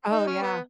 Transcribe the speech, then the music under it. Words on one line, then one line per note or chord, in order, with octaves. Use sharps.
Oh, yeah.
D#4
C#4
B3